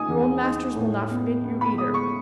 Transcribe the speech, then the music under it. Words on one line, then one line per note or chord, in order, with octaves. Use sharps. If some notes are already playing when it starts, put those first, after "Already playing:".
Your old masters will not forget you either.
Already playing: D#4 G#5 D#6
E2
D#4
A2
B3
B3
B5
G#3 D#6
C#6